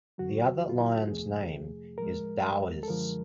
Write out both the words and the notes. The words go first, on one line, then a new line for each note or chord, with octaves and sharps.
The other lion's name is Daoiz.
F2 D3 F#3 F#4
F4
E4
F2 C3 F3 A3 G#4
A2 F3 G#3 A#4
A4
F#2 D3 F3 G#3 A#4